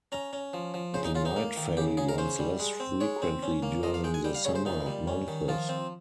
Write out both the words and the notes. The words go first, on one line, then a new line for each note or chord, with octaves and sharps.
The night ferry runs less frequently during the summer months.
C#4 A#5
C#4
F3
F3
C#3 C5
D#4
C#3 F4
D#4
A#3
D#3
C#3 G4
C#3 G#4
A#4
C#4 C5
G3
G#3
C4
G#3 C#5
C4
C#4
A#3
F3 D#5
F5
G#3 G5
G#5
G3 G5
F5
C#3 C#5
C5
A#2 D#4
G3
C#4
D#3
F3 F4
C4